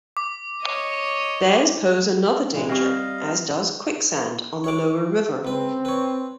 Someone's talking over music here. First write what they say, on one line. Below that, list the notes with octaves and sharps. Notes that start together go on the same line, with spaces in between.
Bears pose another danger, as does quicksand on the lower river.
D6
C#5 D#5
A#2 E3 G#3
G3 C4 G4 D#5 F5
C#5 D6
C#2 C4 B4
B4 C#5